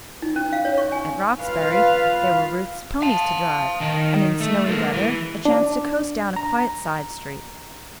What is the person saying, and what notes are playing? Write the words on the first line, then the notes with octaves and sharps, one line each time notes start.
At Roxbury, there were Ruth's ponies to drive, and in snowy weather a chance to coast down a quiet side street.
D#4
C#4
F5
C#5
C#6
G#5
F4 B4 F5
F5 A5
D#3 D#4
A3
G#3 A#3
E3
D4
A#5